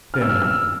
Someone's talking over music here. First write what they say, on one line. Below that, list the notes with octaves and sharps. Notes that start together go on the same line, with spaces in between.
There, now.
F6
E6
F6
E6